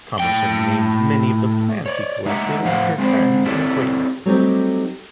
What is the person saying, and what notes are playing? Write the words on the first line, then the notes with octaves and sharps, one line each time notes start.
Commerson named many of the plants he collected after friends and acquaintances.
A2 G5
C#5 D5
G#3 D#4 G4 G#4 E5 F#5
A2 F3 G4 C5 F5 F#5
G#3 C4 G#4 C5
C4 E4 G4 A4 C#5 D5
F#3 G3 A3 C4 D#4 G4